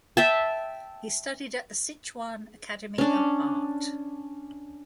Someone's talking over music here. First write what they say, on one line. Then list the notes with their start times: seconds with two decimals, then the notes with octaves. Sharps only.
He studied at the Sichuan Academy of Art.
0.17 E5 G5 A5
2.98 C#4 D4